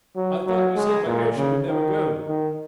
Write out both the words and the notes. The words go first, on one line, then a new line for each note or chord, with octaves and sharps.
I thought you said my airship would never go!
F#3
F#3
G#3
A#2
C#3
D#3
D#3